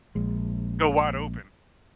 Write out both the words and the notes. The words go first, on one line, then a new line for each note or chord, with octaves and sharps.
go wide open.
A#1 G#3